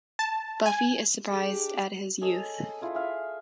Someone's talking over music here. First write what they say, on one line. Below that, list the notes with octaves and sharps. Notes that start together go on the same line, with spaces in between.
Buffy is surprised at his youth.
A5
G#5
D4 G4 G#4
G#4 A4 C#5 D#5
E4 F4 G#4
G#4 E5 F5